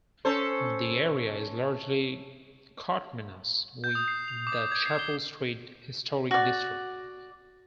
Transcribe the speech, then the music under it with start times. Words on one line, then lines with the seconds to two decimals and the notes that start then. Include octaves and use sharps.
The area is largely coterminous with the Chapel Street Historic District.
0.25 C#4 A4 C5
3.84 G6
3.95 D#6
4.08 C7
4.28 F7
4.47 D6
4.72 G#6
4.86 C7
4.99 G7
6.31 F#4 D5